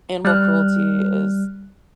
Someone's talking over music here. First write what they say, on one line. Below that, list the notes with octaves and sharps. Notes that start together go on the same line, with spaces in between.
animal cruelty is
G3 F6 F#6